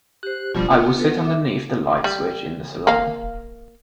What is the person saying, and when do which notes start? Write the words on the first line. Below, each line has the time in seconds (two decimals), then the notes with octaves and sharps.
I will sit underneath the light switch in the salon.
0.23 G4 C5 F#6
0.55 B2 F3 G3 D4 F4
0.71 B3
1.00 A4 B4
1.24 E5 D6
2.04 G3
2.87 A#3 F5